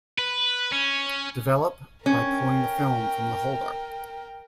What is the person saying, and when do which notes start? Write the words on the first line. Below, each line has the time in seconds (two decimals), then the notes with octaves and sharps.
Develop by pulling the film from the holder.
0.18 B4
0.72 C#4
2.06 C#4 A#4 G5